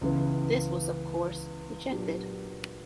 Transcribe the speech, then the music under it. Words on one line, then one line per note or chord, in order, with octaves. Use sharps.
This was of course, rejected.
C#2 C#3 E3 B3
A#2 F#3 B3 D4 G4